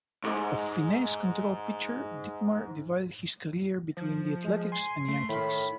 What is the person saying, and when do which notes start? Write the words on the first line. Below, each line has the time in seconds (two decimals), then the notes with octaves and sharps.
A finesse control pitcher, Ditmar divided his career between the Athletics and Yankees.
0.24 C2 G#2
3.97 F3
4.44 G#3
4.72 G#5 C6
5.08 A3 C6
5.29 A2 D#3 B5